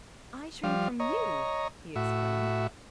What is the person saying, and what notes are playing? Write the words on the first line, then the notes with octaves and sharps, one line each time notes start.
"I shrink from YOU!" he exclaimed.
F3 G3 F5
C#5 D#5 A#5
A2 F#4 E5